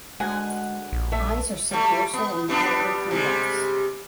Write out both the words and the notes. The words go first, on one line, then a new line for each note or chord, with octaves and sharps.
Eyes are subdorsal and moderately convex.
D2 G#3 F#5 G#5
A#1
A3 E5
G3 A3
B3
G3 B3 D4
C3 G3 G#3